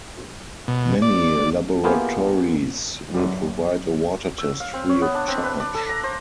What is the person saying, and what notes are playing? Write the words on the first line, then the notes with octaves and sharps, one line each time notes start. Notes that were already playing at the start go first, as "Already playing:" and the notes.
Many laboratories will provide a water test free of charge.
B2
D5
A#3 B3 E4 F4 G4 G#4
F#2 D3 F#3 G3
E6
F5
C4
C#5
B3
D4
C4
B4
D5
A4
A#5
C5